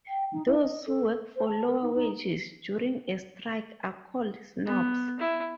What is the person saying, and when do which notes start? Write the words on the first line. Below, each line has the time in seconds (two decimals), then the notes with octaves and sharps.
Those who work for lower wages during a strike are called snobs.
0.08 G5
0.32 D#4
0.46 E4
0.60 D#5
0.86 A4
1.36 C5
1.48 A5
1.66 A#4
1.82 D#4
1.95 D#4
4.65 B3
5.19 E4